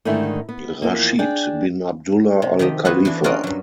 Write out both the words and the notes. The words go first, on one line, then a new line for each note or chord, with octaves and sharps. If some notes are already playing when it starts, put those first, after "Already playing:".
Rashid bin Abdulla Al Khalifa.
G#2 D3 D#3 A3 E4
B3
E2 F3 A#3
D4 G#4 G5
C3
D#3 F3 G4 D#5
B3 F4 F#4 B4 G#5
E3 D4
C#4 F4 F#4 A#4 D5 D#5
G2 F#3